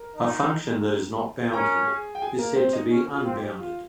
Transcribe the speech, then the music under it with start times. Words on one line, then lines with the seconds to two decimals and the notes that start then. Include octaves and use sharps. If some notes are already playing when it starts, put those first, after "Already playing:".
A function that is "not" bounded is said to be unbounded.
Already playing: A#4 A#5
0.16 D#4
1.53 C#4 A#4 A#5
1.87 G#4 G#5
2.15 G5
2.22 G#4 G#5
2.39 A#3 A#4
2.56 C4 C5
2.73 D#4 D#5
2.90 C#4
3.13 F4
3.24 C4
3.35 G4
3.58 F4